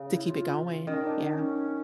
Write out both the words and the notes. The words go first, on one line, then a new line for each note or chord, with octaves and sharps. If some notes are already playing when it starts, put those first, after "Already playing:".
To keep it going, yeah.
Already playing: C#3
E4
F4
D#3 C#4
D4
D4
C#4